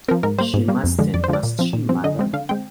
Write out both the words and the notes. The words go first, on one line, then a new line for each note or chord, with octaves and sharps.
She mustn't, must she, mother?
F3 C4 A#4
G#2 A#4
G3 A#3 C5
G#2
G3 A#3
F2
D3 F3 G#3
F2 D5
C5
D3 F3 G#3 D5
A#2
F3 C4
A#2
F3 C4
D3 D#5
G#3 C4
D3 F5
G#3 C4 G5